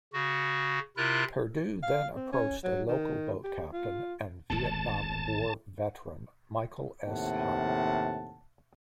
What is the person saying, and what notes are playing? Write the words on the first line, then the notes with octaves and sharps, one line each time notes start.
Perdue then approached a local boat captain and Vietnam War veteran, Michael S. Howell.
C#3 F#4
C3 E4 F4 A#4 F#6
F5
C4
C#4
F#3
D#3
G4
F4
D#1 G#1 E2 A2 A5
D#2 A2 C3 F#5 A5